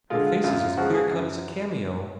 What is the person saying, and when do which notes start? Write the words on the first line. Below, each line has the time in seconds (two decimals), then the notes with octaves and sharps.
Her face is as clear-cut as a cameo.
0.10 D3 G#3 F4
0.27 F4
0.44 F#2 F4
0.60 F4
0.77 C#3 F3 G#3 F#4
0.94 G#4
1.11 F#2